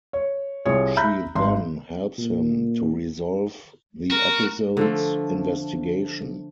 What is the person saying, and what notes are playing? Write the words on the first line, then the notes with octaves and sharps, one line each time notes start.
She then helps him to resolve the episode's investigation.
C#5
C2 F4 G#4 C#5
E5 A#5 B5 F#6 G6
G#1 C6
A#2
F#4 A#4
D3 F3 A3